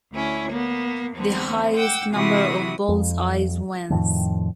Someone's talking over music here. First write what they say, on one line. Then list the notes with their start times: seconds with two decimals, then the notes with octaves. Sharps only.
The highest number of bulls-eyes wins.
0.14 D2 C#4 E4 C#5
0.52 A#3 B3
1.13 E2 D3 B3 C4
1.75 F#5 G5 D6 E6
2.12 C3 E3 A3 E4 F#4 D#6
2.89 F2
3.90 F2 A2 D#3 F3